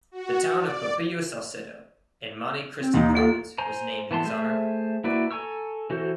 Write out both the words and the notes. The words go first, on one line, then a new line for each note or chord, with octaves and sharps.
The town of Pepillo Salcedo, in Monte Cristi province, was named in his honour.
F#4
D5
C4
D#2 D#4
A#3 F4 A4
C5 G#5 A#5
E3 B3 A5 C6
A3 G#4 C5 E5
A#3 E4 F#4 B4 D5
A4 G#5 A#5 C#6 E6
E3 F#4 A4 C5